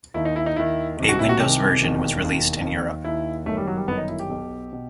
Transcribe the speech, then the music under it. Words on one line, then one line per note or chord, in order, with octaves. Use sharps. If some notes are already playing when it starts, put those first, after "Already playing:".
A Windows version was released in Europe.
D#2 D#3 E4
D#4
E4
D#4
D#2 D#3 E4
C2 C3 D#3
F#4
E4
F#4
C2 C3 D#3 G4
E1 D#2 D#3
E1 D#2 D#3
D#2 D#3
D#2 D#3 E4
G1 F#2 D#3 A3
G3
F#3
G3
G1 F#2 D#3 B3
D#4
E4
G4
B1 B2
B2